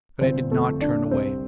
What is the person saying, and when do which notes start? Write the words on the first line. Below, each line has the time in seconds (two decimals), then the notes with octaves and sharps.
But I did not turn away.
0.21 G1 C4 C5
0.51 F2 A3 A4
0.81 D3 D4 D5
1.11 C2 C4 C5